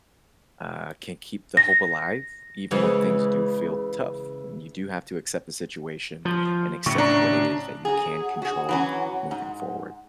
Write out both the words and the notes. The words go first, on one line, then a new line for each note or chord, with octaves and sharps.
uh, can keep the hope alive even when things do feel tough, and you do have to accept the situation and accept what it is that you can control moving forward.
A#6
C#3 E3 G#3
F3
A2 C#3 C#6
D4 A#5
F#3 G#4 F#5
F#4 G#4
E3 F#3 C#4
G#2